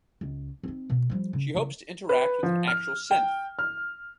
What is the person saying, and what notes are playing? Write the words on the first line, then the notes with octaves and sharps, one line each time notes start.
She hopes to interact with an actual synth.
C#2
C4 D#4
B2
F3 G3
C#3
C#3 E3
B4
F3
F6
G5
F6